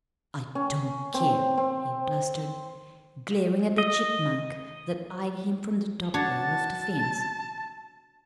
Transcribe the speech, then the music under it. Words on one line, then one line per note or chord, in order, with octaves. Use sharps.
"I don't care," he blustered, glaring at the chipmunk that eyed him from the top rail of the fence.
C#4
C4
C4
D#5
D4 F#4 C#5 A5